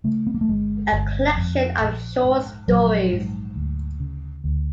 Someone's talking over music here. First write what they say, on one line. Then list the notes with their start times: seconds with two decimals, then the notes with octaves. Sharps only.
A collection of short stories.
0.04 C#3 A3
0.27 B3
0.34 A#3
0.41 A3
0.49 G1 G#3
0.92 G1
1.36 F2
1.80 A#1
2.25 G#2
2.68 A#1 F#3
3.12 G#2
3.56 D2
4.00 C#3
4.44 D2